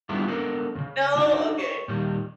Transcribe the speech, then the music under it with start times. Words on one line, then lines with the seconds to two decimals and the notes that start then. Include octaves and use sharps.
No? Okay.
0.09 G3 B3 D4 E4 F4 G#4
0.27 G#3 B3 D4 A4 A#4
0.75 D#2 C#3
1.16 D4 D#4 F#4 C#5 D5
1.59 C#5
1.88 A#2 D#3 G3